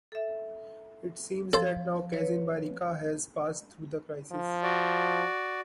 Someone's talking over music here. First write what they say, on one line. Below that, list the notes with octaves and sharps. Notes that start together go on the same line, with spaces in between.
It seems that now Kazincbarcika has passed through the crisis.
A4 E5
F3 A4 C5
B4 C#5
F3
F#4 D5